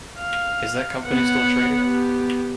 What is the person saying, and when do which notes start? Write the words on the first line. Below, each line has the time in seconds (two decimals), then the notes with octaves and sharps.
Is that company still trading?
0.19 F5
1.07 B3 C#5 F#5
1.85 G4